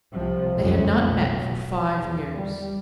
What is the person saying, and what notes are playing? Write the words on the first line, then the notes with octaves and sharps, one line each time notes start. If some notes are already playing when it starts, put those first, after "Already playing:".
They had not met for five years.
C2 C3 F3
F#1 C2 F2 A2 E3 C#4
B1
E2
G3